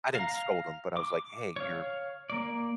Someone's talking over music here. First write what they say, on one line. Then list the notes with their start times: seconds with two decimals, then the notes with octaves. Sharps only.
I didn't scold him, but I was like, "Hey, you're
0.15 F5 A#5
0.97 D6
1.56 C#5 F5
2.30 A#3 D5